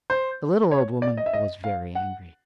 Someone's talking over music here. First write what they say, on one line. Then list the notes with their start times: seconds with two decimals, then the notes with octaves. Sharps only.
The little old woman was very angry.
0.10 C5
0.71 C#5
1.02 D5
1.17 D#5
1.26 E5
1.33 D#5
1.64 F5
1.95 F#5